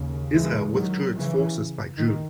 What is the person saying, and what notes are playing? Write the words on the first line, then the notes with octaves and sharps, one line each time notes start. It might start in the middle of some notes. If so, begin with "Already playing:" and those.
Israel withdrew its forces by June.
Already playing: D#2 C#3
E3 G#3
D#3 F#3
C#3 E3
D#3